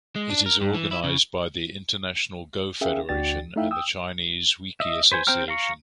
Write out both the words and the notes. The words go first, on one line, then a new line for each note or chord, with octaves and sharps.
It is organized by the International Go Federation and the Chinese Weiqi Association.
G#3
D4
A#4
G2
E3
E4
C#3
C#4 G#4 A#4 E5 F5 G5
D2 D4 F#4 D5 G5 A6
A3 D#4 E4 E5 F5 G5
G5 D#6 E6
D#5 E5
B4 C5 G#5
C4 C5 G5 A#5 F6
F5 A#5 C#6